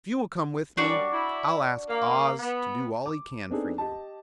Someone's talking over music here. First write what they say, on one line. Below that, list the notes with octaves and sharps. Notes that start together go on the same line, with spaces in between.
"If you will come with me I'll ask Oz to do all he can for you."
F#2 G3 D4 F#4 D5
E4
A#3
B3
D6
B3 C4 D4 D#4 G#4 A4
G4 D#5 A5